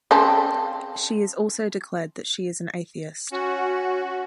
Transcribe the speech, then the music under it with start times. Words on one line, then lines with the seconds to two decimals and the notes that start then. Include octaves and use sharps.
She has also declared that she is an atheist.
0.11 C#3 C4 A5
3.31 C#4 F#4